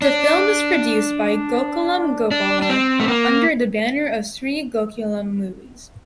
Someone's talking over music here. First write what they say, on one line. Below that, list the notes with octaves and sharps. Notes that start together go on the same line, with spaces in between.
The film is produced by Gokulam Gopalan under the banner of Sree Gokulam Movies.
D4
D4
D4
C4
A3
A#3